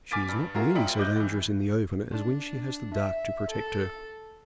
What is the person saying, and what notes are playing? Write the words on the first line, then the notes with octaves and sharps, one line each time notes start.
She is not nearly so dangerous in the open as when she has the dark to protect her.
G#5 D6 F6 A6 B6 D7
G2
F4 F#4 G#4 A#4 E5
A#1 G3 F4 E5 G5 F#7
D#5 D6 F#6 G6
A2 E3
D4
E5
A4